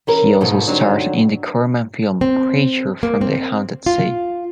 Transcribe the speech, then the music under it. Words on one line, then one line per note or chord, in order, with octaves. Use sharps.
He also starred in the Corman film "Creature From the Haunted Sea".
E3 C#4 A#4
G#2 B2 D#3 F3 A3
D3 F#3 G3 C4 D4 D#4
C4
A#3
C4
F4